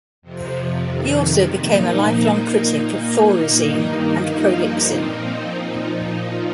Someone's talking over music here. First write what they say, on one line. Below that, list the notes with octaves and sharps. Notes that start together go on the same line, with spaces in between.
He also became a lifelong critic of thorazine and prolyxin.
F2 C3 F3
F2 C3 D#3
A#2 F3 A#3 D#4
A#2 A#3 D#4
A#2 A#3 D#4
G2 D#3 A#3 D#4
G2 F3 A#3 D#4
A#2 F3 C4 D#4
A#2 F3 D#4